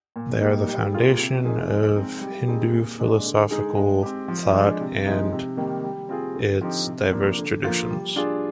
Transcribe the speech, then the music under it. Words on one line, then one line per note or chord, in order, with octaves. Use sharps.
They are the foundation of Hindu philosophical thought and its diverse traditions.
A#2
G3 A#3 D#4
G3
A#3 F4 G#4
C3
F3 A#3 D#4 G#4
G#3
C4 D#4
G3
C4 D#4 G#4
A#2
G#3 D4
D3
G#3 D#4 G#4
G#3
C4 G4
F3
G#3 D4
C3
F3 G#3 D#4
C3
D#3 G3 A#3 D#4
G3
C4 F4 G#4
D3
F3 C4 D#4 G4
C3
F3 A#3 D4
D3
F3 A#3 F4
G3
D4 F4 G#4